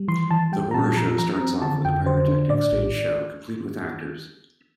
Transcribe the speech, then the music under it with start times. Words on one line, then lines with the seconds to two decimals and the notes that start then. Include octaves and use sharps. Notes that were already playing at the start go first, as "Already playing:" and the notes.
The horror show starts off with a pyrotechnic stage show complete with actors.
Already playing: G3
0.08 E3 C6
0.31 E3 A5
0.52 G3 G5
0.71 A#5
0.74 A#2 A5
0.86 A5
0.96 F3 A#5
1.19 F3 A#5
1.40 C4
1.62 D3 A5
1.85 F2 G5
2.06 D3 C5
2.28 D4
2.50 A2 D5
2.72 A#1